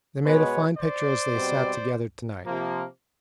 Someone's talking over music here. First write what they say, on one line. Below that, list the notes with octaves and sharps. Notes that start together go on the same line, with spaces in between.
They made a fine picture as they sat together to-night.
B2 G#3 B3 B4 C#5
C5 D5
B2 G3 C4
C3 F3 A#3